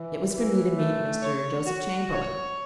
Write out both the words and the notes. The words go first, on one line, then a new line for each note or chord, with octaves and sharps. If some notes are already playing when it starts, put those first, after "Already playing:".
It was for me to meet Mr. Joseph Chamberlain.
Already playing: E3
E3
A3
C#5
F#4
C#5